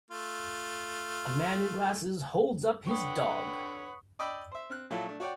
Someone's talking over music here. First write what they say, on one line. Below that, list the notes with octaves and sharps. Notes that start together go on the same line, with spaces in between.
A man in glasses holds up his dog.
A3 F4
D3 B4 C#5 F#5 G5 C#6 D#6
D5 D#5 G5 B5 D6 E6
C5 E5
C4 F6 F#6
A#2 F#3 E4 F4 A4
A3 D4
F#4 C#5 D5 G5